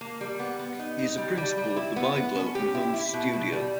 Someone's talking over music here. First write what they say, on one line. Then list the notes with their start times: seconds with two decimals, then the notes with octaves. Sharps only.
He is a principal of the Bigelow and Holmes studio.
0.01 A#3
0.21 G3
0.39 B3
0.59 B3
0.79 D#4
0.99 D#4
1.18 G3
1.38 G3
1.57 G3
1.76 E4
1.96 B3
2.16 B3
2.35 C#4
2.55 G4
2.75 E4
2.94 E4
3.14 B2
3.33 B2
3.52 G3